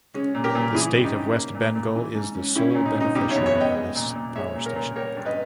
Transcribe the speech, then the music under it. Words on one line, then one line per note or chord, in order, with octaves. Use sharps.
The state of West Bengal is the sole beneficiary of this power station.
G#3 C#4
A#2
G4 A#4
A#2
E3 E4 G#4
G2
D#4 G4
C#4
A#3
A#2
A#2
E3
G#2
C#4
G3 C#4 E4
A#2 C#4
D#4
A#2
D#4
B2 D#4 G4
C#5 E5
E2
C#5 E5
B3
D#5 G5
G#3
A#2
A#2
G#3 C#5 E5
A#2
A#4 C#5
A#2
G3 A#4 C#5
G2
B4 D#5